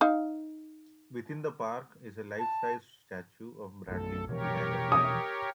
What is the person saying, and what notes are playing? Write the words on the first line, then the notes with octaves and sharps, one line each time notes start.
Within the park is a life-size statue of Bradley behind a piano.
D#4 F5
A5
A#1 F#2 A3 A4
B2 E3 F3 G4 A#4 C#5
D#6